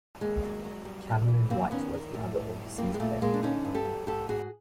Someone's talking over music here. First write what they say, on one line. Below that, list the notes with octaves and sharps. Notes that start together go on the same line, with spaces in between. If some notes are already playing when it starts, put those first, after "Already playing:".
Cameron White was the other overseas player.
D#2 G#3
F#3
F#3
G3
A2
E3
D#2 A#3 C4
D#3 B3 C#4
D#3
A2
A2
G3
G3 A#3 C4
G#3
A#2 A3
A#2 G#3 A#3
D4
D3 C#4 D#4
G2
G4 A4
F#3
G#2 G4 A4
G#2 F#4 G#4